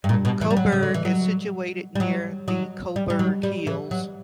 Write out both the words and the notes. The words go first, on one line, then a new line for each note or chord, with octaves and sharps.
Coburg is situated near the Coburg Hills.
G2
A#2
B2
E3
G3
F#3
C#3
D3
E3
F#3
G3
F#3
F#3
G3
G3
F#3
G3
E3
F#3